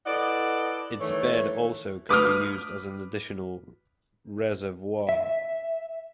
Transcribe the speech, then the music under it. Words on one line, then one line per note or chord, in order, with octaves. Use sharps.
Its bed also could be used as an additional reservoir.
E4 A4 B4 D5 D#5 F#5
D#3 E3 A3 C#5
B4 D6 D#6 F6
E5